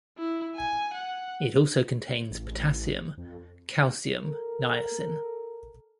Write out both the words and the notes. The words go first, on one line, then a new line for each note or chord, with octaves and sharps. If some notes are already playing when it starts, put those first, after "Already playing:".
It also contains potassium, calcium, niacin.
E4
G#5
F#5
A1
F2
A4 A#4